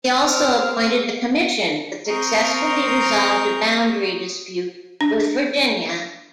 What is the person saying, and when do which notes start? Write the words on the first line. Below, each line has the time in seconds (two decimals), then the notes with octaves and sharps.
He also appointed a commission that successfully resolved a boundary dispute with Virginia.
0.22 C4 F6
2.07 C4 A#4 A#5 C#6 D#6 G6
5.01 D4